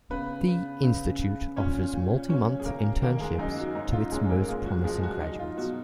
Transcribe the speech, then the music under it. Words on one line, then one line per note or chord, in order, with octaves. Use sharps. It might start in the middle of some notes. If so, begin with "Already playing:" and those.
The institute offers multi-month internships to its most promising graduates.
C#3 B3 B4
C#3
C#3
C#3
A#2 C#4 C#5
A#2
F#3 C#4 C#5
G#4
C#3 A#3 A#4
D#3 A#3 A#4
G#3 G#4
F#2 D#4
F#3 F#4
G#2 D#4
F4
G#3 C#4 G#4
A#3 A#4
A#2 G#3 G#4
F#3 F#4
F3 G#3 G#4
F#3 F#4
F#3 D#4
F4
B2 F#3 F#4